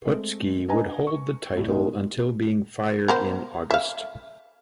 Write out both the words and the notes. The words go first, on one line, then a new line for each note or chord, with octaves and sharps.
Putski would hold the title until being fired in August.
G#3 A3 C4
D4 B4 D#5 G#5 A#5
C#6
C2 A2 F#3
D#3 G#3 A#3 B3
B3 A#4 C5
E5 F5